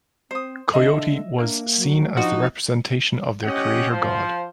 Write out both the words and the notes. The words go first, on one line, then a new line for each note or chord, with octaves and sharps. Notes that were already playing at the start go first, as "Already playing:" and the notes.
Coyote was seen as the representation of their creator god.
C4 C5 D#6
D3 D#5 E5
A#3 D4
F#3
F3 D4 D#4 F#4
C#4 G4 D#5 F#5
F3 C5